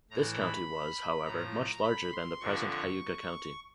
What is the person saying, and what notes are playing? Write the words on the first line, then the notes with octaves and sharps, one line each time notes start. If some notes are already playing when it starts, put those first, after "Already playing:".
This county was, however, much larger than the present Cayuga County.
A2 E3 A#5
B5
A2 F3 A#5
B5
C6
F2 D3 F3 C#6
C#6